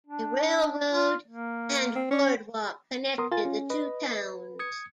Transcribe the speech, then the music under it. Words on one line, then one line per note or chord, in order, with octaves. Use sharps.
A railroad and boardwalk connected the two towns.
D4
F4
A#3
C4
C#4
B3 A#4 C6 D#6
F4 A#4 G#5 A6
C#4
B4 D#5
D#6 G#6 C#7